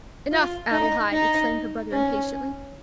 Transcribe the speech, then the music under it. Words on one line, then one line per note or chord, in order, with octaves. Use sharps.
"Enough, Adelaide!" exclaimed her brother, impatiently.
F4
D#4
D#4
C#4